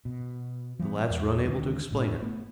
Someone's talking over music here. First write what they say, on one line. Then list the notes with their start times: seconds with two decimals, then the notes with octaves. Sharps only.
The lads were unable to explain it.
0.05 B2
0.79 E3 G3 A#3 B3
1.10 E2 G#3
1.43 D#2 D3 G#3
1.91 G1 A2 G#3 D4
2.23 A3 B3